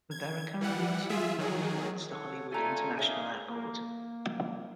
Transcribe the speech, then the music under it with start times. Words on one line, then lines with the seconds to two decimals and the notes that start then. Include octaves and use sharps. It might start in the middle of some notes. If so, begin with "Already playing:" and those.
There are currently two weekly flights to Hollywood International Airport.
0.11 G#6
0.61 E3 G3 F#5
1.09 F4 G#4 E5
1.38 D#3 F#3 G#4
2.10 A4 C#5 F#5
2.52 A3 D4 F4 A4 G#5 A#5
2.98 A#3 D#4 G#4 C#5 E5 F5
3.49 A#3